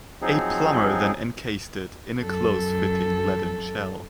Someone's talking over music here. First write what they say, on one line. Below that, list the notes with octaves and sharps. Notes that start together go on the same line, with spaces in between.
A plumber then encased it in a close fitting leaden shell.
F3 F#3 C4 D#4 G#4
F#2 A4